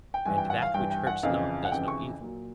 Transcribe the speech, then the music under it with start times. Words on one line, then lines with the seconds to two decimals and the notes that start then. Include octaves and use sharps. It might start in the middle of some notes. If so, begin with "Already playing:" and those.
And that which hurts not does no evil?
0.14 G5
0.25 G2 E3 G#5
0.38 G5
0.50 F#5
0.62 F5
0.74 G2 E3 G5
0.91 G5
1.07 F#5
1.23 F2 C#3 E3 F5
1.65 F#5
1.72 F2 C#3 E3 G5
1.88 C#6
2.21 A#2 F#3